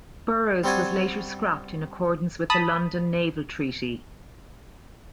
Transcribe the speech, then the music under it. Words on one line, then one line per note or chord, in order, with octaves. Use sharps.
"Burrows" was later scrapped in accordance with the London Naval Treaty.
G3 C4 D4 F#4 G#5
A5 B5 D#6